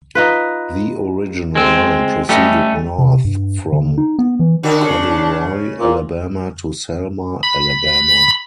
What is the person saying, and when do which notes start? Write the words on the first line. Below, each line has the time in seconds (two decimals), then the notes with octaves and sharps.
The original line proceeded north from Corduroy, Alabama to Selma, Alabama.
0.15 D#4 F4 B4
1.55 G#3 C4
2.29 G3 A3 C#4 D#5
2.99 C3
3.25 G2
3.73 D3
3.98 D#4
4.19 B3
4.40 E3
4.63 D3 D4 F#4
4.84 C#3
5.79 A#2
7.43 B5